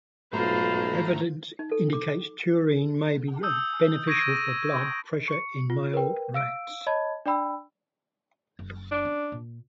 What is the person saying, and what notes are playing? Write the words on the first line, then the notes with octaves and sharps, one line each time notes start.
Evidence indicates taurine may be beneficial for blood pressure in male rats.
B1 G#2 A3 F4 C5 A#5 B5
D#4
A4
D6
D#6 E6 G6
C#6 G#6 A#6 D7 D#7
C#6 C#7
F4
A#4 B4 G5
F5 E6 D7
C#5 D#5 A5 B5 G#6
D4 D5 G5 B5 E6
F#1
D4
C#4
A#2